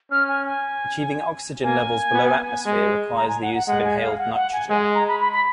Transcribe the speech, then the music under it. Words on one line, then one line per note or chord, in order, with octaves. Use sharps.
Achieving oxygen levels below atmosphere requires the use of inhaled nitrogen.
C#4 F6
G#5
G#5
A#3 G#5
B3
G#3
A#5
G#5
F#5
F#5
G#3 F#5
G#5
F5
F#5
F#5
G#5
G#3 G#5
A#5
B5
B5
B5